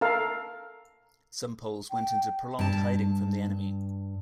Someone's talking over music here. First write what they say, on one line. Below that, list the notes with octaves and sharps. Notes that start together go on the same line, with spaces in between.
Some Poles went into prolonged hiding from the enemy.
A4 A#4 F5
G5
G2 A5